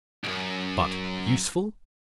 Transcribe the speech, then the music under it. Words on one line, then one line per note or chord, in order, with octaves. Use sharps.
But, USEFUL?
C2 F#2